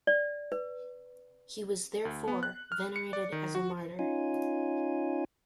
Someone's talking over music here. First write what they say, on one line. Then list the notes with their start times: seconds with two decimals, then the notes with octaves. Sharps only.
He was, therefore, venerated as a martyr.
0.07 D5
0.52 B4
2.05 D2
2.28 B3
2.43 F#6
2.72 F6
2.96 C#7
3.13 D5
3.32 D#3
3.55 F#4
3.99 C#4 D#4 F4 G#5